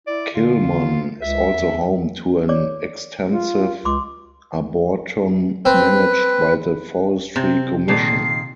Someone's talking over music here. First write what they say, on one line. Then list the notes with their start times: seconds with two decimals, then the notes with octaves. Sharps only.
Kilmun is also home to an extensive arboretum managed by the Forestry Commission.
0.07 E4 D5
0.35 D3 F4
1.22 C#2 E5
1.53 E2
2.49 C#5 D5 D6
3.29 F4
3.85 C#2 C6 D6
5.65 C4 B4
7.36 C3 C4
7.88 A#2 D#3 A4 C7